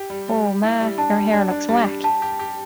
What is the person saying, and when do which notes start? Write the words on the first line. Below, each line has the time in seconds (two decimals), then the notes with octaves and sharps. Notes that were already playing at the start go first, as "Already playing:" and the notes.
Woah, ma, your hair looks wack.
Already playing: G4
0.10 G3
0.28 G3
0.45 G3
0.63 E4
0.80 G3
0.98 D4 A5
1.16 G3
1.33 D4
1.50 D4
1.68 G3
1.86 G3
2.04 G4 A5
2.22 G4
2.39 G4